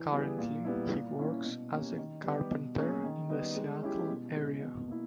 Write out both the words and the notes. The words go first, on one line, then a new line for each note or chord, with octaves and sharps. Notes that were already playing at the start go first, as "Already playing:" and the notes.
Currently, he works as a carpenter in the Seattle area.
Already playing: E3
G3 B3 E4 G#4
A#2
G3 B3 E4
A#2
A#3 C#4 E4
B2
A#3 C#4 G4
D#3
G3 B3 G4
B2
A#3 C#4 G#4
D#3
G3 B3 D#4
G#3
C#4 E4 G4
B2
G#3 C#4
B2
A#3 E4